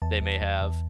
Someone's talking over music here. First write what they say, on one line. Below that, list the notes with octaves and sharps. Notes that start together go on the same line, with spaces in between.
they may have,
E2 A5
E2
E2
E2